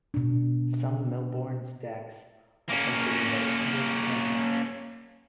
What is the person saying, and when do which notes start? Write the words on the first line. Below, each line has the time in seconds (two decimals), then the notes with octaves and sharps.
Some Mille Bornes decks are printed in both English and French.
0.14 B2 D4
2.69 A#3 C#4